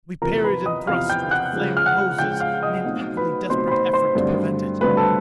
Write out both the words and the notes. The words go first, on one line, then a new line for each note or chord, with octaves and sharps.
We parried and thrust with the flaming hoses in an equally desperate effort to prevent it.
E2 C3 F3 A#4 A#5
B4 B5
D#5 D#6
E2 C3 F3 F5 F6
G5 G6
F#5 F#6
C#3 F3 G#3
F6
F#5 F#6
C#3 F3 G#3 G5 G6
F5 F6
D#5 D#6
B2 F#3 A3 C4 D#4
B4 B5
B2 F#3 A3 C4 D#4 C5 C6
B5
C5 C6
C5 C6
G2 D3 F#3 A3 C4
G2 D3 F#3 A3 C4 B4 B5
A4 A5